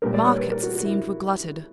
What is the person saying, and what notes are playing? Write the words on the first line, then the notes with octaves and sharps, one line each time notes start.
Markets, it seemed, were glutted.
A#2 G3 A#3 A#4
D5
C#5
B4
A#4
F#4
F#4
E4